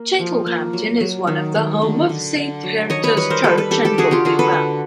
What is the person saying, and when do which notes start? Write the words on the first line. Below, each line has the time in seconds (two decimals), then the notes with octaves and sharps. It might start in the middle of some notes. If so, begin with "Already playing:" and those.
Chittlehampton is the home of Saint Hieritha's church and holy well.
Already playing: A#3
0.19 F3
0.46 A#3
0.73 F#3
1.00 F#3
1.27 D#3
1.55 D#3
1.82 D3
2.09 D3
2.36 D3
2.63 F#3
2.90 D#3 C#5 D#5
3.04 B4 C#5
3.17 G3 B4 C#5
3.30 A#4 C5
3.44 G3 A4 B4
3.57 A4 B4
3.71 D#3 G4 A4
3.85 G4 A4
3.98 D3 F#4 G#4
4.11 F4 G4
4.25 D3 F#4 G#4
4.39 A4 B4
4.52 D3